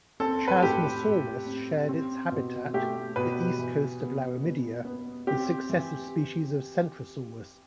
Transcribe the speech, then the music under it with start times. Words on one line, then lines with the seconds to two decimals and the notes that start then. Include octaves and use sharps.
"Chasmosaurus" shared its habitat, the east coast of Laramidia, with successive species of "Centrosaurus".
0.20 C4 A4
0.48 B4
0.55 A4
0.62 A2 G4
1.05 A2
1.47 C4
1.89 C4
2.31 B2
2.73 A3 G4
3.16 B2 B4
3.58 E3
4.01 B3
4.43 B3
4.85 B3
5.27 C4 G4
5.69 E3